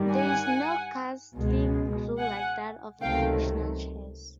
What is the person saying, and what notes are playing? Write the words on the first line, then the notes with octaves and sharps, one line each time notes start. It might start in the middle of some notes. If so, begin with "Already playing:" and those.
There is no castling rule like that of international chess.
Already playing: G2 D#3 G3
F#5 G#5
C#2 B2 G#3
F#5 G#5
C#2 C3 D#3 F#3 A3 F5 G5